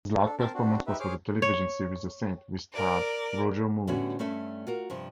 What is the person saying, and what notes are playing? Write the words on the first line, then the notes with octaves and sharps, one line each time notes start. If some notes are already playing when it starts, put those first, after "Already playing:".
His last performance was for the television series "The Saint" which starred Roger Moore.
D4 A4
C4 A#4 A5
C4 D4 F#4
D#4 G4 B4 E5
G#4 C5 C#5 D6 F6
C#5
A#4 D5
A2 D3 G3 B3 C#4 F#4
G2 A3 C#4 A4 E5
F4 F#4 A#4
G2 C3 F3